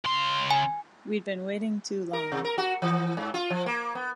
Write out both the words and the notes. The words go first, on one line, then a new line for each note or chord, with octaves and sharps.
We'd been waiting too long.
C#3 C6
G#5
A#4
C3
A#4
F#4
E3
G#2
F4
F3
A#3
B3